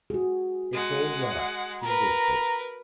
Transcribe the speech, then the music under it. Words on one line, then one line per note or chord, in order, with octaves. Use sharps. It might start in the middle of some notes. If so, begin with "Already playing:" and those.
"It's all right," he whispered.
F#4 G#4
G#3 F#5
A#4 B4 A#5